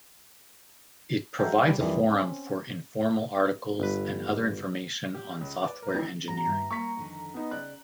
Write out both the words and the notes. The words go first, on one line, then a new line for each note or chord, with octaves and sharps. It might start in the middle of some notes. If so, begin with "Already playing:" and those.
It provides a forum for informal articles and other information on software engineering.
F#3 G#3 A4 A#4 E5 G5
G3
F2 D#3 E3 G3 D4
C4 C#4
G1 B4
G4
C#2
B4 D5
A#4 B4
F2 A2 D#3 E3
A2 C#4 F#4 A#5
G2 D#3 E5
A#3 C#6 B6
F2 D3 D#3
B3 D#4
C#3 D5 G5 F#6